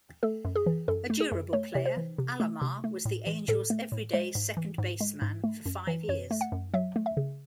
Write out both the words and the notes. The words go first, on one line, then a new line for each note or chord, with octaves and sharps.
A durable player, Alomar was the Angels' everyday second baseman for five years.
A3 A4
F#2
G#4
E3
F#2 A4
A3
G#4
F#2
A3 C#5
C3 C#5
C5
E3
C3
A3
C3
A3
A2
E3
A2 A4
A3
A2
G#3 C5
G#2
E3
G#2
G#3
G#2
A3
F#2
E3
F#2 C#5
A3
F#5
F#2
F#3 E5
A3
E5
C#3